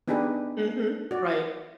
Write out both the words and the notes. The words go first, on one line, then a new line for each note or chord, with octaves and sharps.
Mhm, right.
B3 D4 D#4 G4 G#4 B4
F#4 D5